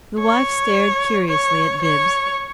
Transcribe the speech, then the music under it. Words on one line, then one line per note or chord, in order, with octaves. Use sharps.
The wife stared curiously at Bibbs.
C#5
C#5
C#5